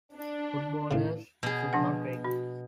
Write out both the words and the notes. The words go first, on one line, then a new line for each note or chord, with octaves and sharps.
Footballers should not drink.
D4
A2 C#3
B2 G#4
F3 D4 F#5
F#4